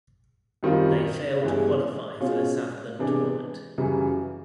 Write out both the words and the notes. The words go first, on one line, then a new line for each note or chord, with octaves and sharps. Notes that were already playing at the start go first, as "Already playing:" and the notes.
They failed to qualify for the Southland Tournament.
F#2 D#3 G3 C4 F4
G2 E3 G#3 B3 E4
B2 G#3 C#4 F4
C3 E3 G#3 B3 D4
F#2 C#3 E3 G3